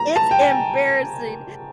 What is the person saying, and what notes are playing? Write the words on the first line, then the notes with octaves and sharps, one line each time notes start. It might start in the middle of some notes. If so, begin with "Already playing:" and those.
It's embarrassing,
Already playing: A#5
A5
G5
G#5